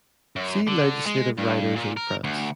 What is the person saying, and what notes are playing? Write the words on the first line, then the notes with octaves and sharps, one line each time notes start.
"See legislative riders in France".
F#2
D3
G#3
G2
A#2
A#4
D2